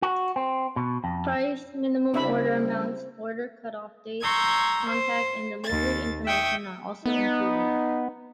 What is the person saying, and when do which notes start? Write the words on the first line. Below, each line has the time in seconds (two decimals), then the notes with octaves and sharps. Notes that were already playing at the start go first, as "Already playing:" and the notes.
Price, minimum order amounts, order cutoff dates, contact and delivery information are also included.
0.02 F#4
0.36 C4
0.76 B2
1.04 F2
2.14 C#3 G3 G#3 C4 D4 E4 E5 B5
4.22 A#5 C6 C#6 E6 G6 G#6
4.88 C5
5.65 D#2 A6
6.25 E5 G5 C#6 D#6
7.06 B3 D#4